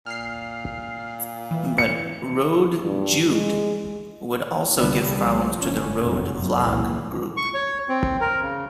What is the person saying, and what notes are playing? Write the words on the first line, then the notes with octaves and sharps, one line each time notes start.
But "Rode Jeugd" would also give problems to the "Rode Vlag"-group.
A#2 F6 C7
E3
C#7
G2
G#3
C2 D3 E3 G3 B3
C2 F3
G1 C#4
F1 F#2
F#1 C#2 A#2 C#3 E3
C#6
C#5
C4
A#4
C#3